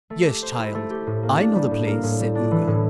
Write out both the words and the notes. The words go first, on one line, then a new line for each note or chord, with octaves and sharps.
"Yes, child, I know the place," said Ugo.
A3
G4
C5
E4
A3
G4
A2
A#3
D4
G3
A2
A#3
A2
G3
D4
E3
A2